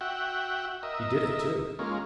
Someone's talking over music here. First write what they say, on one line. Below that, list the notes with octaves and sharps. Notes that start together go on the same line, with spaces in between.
He did it too.
F#4 E5 F#5 G5
A#4 D#5 E5
G#3 A#3 C#4 F4